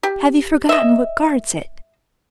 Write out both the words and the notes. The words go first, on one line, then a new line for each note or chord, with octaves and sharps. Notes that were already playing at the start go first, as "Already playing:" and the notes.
"Have you forgotten what guards it?"
G4
D#5 E5